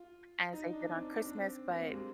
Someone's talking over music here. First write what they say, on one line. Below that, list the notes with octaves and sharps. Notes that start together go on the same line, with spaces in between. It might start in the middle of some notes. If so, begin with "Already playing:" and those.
as they did on Christmas, but
Already playing: F4
D#4
D4
C4
D4
C4
D4
C4
A#3
C4
A#3
G#3
G3